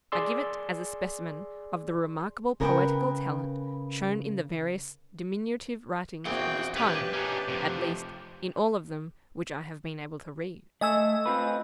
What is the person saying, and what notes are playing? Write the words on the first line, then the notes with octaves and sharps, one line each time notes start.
I give it as a specimen of the remarkable poetical talent shown in the various diminutive writings of this time; at least, in all of them which I have been able to read.
G#4 D5 C6 E6
C#3 A#4 B4 C#5 G5
A#1 E2 C4 F#4 F#5 G5
A#2 C#4 D4 G4 B4
C#4 D#4
F2 C3
A3 D#5 G#5 E6
C4 F4 B4